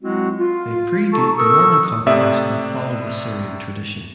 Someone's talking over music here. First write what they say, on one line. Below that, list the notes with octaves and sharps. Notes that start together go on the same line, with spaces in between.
They predate the Norman conquest and follow the Syrian tradition.
F#3 G#3 C4 E4 F#4
F4
D#4 A4 A5 C#6
A4 A#4 C#6 D#6 E6
A2 C3 D5 E5 D#6